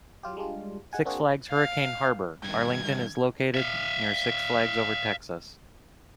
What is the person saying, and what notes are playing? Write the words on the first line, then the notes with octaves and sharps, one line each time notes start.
Six Flags Hurricane Harbor, Arlington is located near Six Flags Over Texas.
F#3 F4 G4
G3 G#3 D4 F4
G#3 F#5 G#5
A#3 C4 D4 F#4 G#4
F5
G2 D#3 G#6
E5 F5